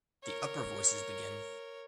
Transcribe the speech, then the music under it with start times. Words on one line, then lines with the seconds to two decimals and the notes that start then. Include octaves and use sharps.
The upper voices begin.
0.23 A#4 C#5